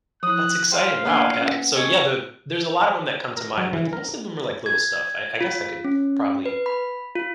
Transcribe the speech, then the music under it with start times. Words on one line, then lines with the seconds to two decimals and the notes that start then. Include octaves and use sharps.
That's exciting, wow, uh, so yeah, the there's a lot of 'em that come to mind, but the most of them are like little stuff. I I guess I could probably
0.23 F3 E4 D#6 F#6
0.72 C5 D5 F5 G5
1.05 A#3 B3 D4 F#5 G#5
1.38 C#4 F4
1.75 C#4 G#4 A4 C#5 D#5
3.37 A#4
3.58 F#3
3.73 E3
3.93 A#4
4.66 G#6
5.41 F4
5.85 C#4
6.46 B4
6.66 B5
7.16 F4